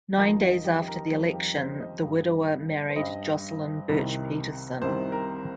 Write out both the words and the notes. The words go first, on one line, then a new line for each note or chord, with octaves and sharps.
Nine days after the election, the widower married Jocelyn Birch Peterson.
F2 D#3 G3 D#4
F4
G4
G4
A#4
F2 D#3 G3 C5
G4
C5
D#5
G2 G3
C5
G2 G3 D#5
C2 C3 D#3 G3
C2 C3 D#3 G3 C5
A#4